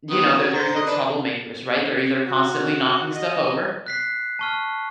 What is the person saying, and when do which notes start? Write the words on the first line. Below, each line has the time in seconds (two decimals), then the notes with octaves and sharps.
you know, they're they're either troublemakers, right? They're either constantly knocking stuff over
0.10 D#3 B3 D#6
0.38 F#4
0.54 C5 A#5
0.76 D#5
0.87 D4 B4
2.27 F#4
3.14 D#5
3.86 F#6 B6 C7
4.39 A5 C#6 F6